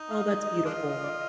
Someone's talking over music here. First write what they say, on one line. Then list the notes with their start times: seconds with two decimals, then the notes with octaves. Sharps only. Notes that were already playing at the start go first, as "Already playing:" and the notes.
Oh, that's beautiful.
Already playing: D#4
0.11 F5
0.21 D#5
0.64 G#3 D4 F4
1.04 D5
1.09 D#5